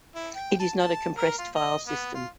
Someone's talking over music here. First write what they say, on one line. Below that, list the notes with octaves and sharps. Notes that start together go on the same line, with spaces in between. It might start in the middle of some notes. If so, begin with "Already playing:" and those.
It is not a compressed file system.
E4
G5
A5
A5
A#4
F4
D#5
B3
F4